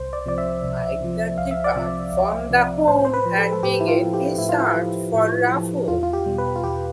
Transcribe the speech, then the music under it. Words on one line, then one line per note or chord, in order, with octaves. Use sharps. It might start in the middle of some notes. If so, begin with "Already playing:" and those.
Mike then departs from the home and begins his search for Rafo.
Already playing: C2 C5
D5
C3 F3 D5
E5
C2
C3 F3
C2 F5
E5
D5
C3 F3 E5
C2
C3 F3
A2 C5
C5
B4
F3
A4
A4
A2 G4
E4
F4
F3
G4
A2 E4
F4
E4
F3
A2
F3
E2 F4
F4
G4
B2 G3
B4
F4
E2 G4